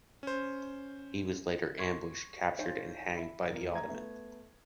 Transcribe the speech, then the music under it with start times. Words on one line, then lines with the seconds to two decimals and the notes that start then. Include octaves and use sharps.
He was later ambushed, captured and hanged by the Ottoman.
0.23 C#4 C5
1.78 C6 C#6 G#6 C7
2.58 D#4 C5 C#5 F5 G#5 C#6
3.17 E5 B5
3.48 E2 F3 A#4
3.71 A3 A#5 G#6
3.88 A3 B3